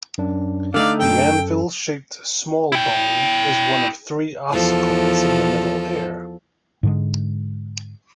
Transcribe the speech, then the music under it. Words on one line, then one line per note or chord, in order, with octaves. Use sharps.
The anvil-shaped small bone is one of three ossicles in the middle ear.
F#2 D4
D3 A3 D#4 D5 F5
F#2 A4 G5
E4 G5
E2 F3 A4
G#2 D3 G#3